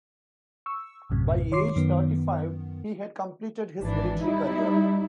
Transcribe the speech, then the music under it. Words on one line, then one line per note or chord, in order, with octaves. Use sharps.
By age thirty-five, he had completed his military career.
C#6 E6
A#1 F#2 A2 C3
D#3 C#5 C6 D6 C7
F#2 D#3 B3
G#1 E3 D4
G3 D#4 E4